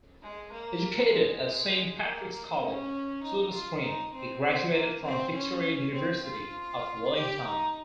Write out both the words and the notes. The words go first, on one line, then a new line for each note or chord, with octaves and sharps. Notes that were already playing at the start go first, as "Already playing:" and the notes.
Educated at Saint Patrick's College, Silverstream, he graduated from Victoria University of Wellington.
G#3
A#3
G#3
A#3
C#4
D#4
F4
D#4
C4
C4
A#3
C4
C#4
C4
F4
G4
D#4